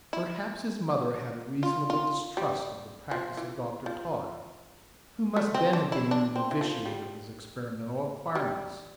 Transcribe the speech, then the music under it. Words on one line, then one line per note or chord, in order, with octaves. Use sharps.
Perhaps his mother had a reasonable distrust of the practice of Dr Todd, who must then have been in the novitiate of his experimental acquirements.
E4
F4
F4
G3
F3
E3
F3
A3
C4
D4
E4
D4
C4
E3
F3
G3
G3